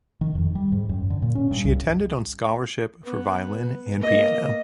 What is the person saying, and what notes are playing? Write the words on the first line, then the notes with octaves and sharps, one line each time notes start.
She attended on scholarship for violin and piano.
D#3
F2
G3
G#2
F#2
D3
A#2
C#4
G2
C2
B3
A#3 D#5